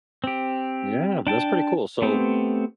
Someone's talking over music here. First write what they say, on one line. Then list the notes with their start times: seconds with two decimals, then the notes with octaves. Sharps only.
Yeah, that's pretty cool. So
0.24 C4 G4
1.27 D4 G5 A5
2.02 A3 B3 C4 G4